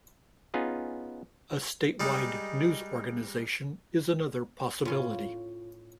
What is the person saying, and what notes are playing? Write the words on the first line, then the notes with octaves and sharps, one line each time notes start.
A state wide news organization is another possibility.
B3 C#4 D#4 F4 G#4
G3 G#3 D#4
A2 C#4 F4